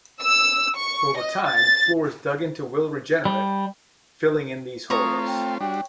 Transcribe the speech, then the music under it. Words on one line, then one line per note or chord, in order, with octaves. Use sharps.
Over time, floors dug into will regenerate, filling in these holes.
E6
C#6
D#5
A6
G3
A3 C4 F4 C#5 A#5 D#6
G5
G3 D4 F#4 G5